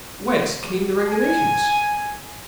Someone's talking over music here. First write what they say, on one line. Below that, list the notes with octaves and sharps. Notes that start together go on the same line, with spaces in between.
Whence came the regulations?
G#5